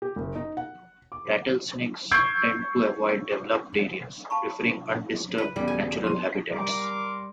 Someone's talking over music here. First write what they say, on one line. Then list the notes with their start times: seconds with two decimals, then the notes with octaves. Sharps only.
Rattlesnakes tend to avoid developed areas, preferring undisturbed, natural habitats.
0.02 G4
0.16 F#1
0.35 D#4
0.57 F#5
1.12 D6
2.11 C#6 E6 G6 G#6 C7 D7
4.30 F5 A5 B5 C#6
5.38 B4
5.56 D#1 C#3 F#3 G3 B3
5.68 G#5
6.04 C6 D#7
6.52 G3 A#4 C6 D6